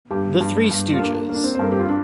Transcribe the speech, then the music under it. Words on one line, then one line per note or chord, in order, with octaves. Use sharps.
The Three Stooges.
G2 G4
G2
G2
F4
A#3 D4
A#3
D4
C4
C5
G2 A#4
G4
F4
D4